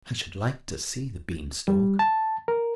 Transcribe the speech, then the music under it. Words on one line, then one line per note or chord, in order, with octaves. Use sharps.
"I should like to see the bean-stalk."
G3
A5
A#4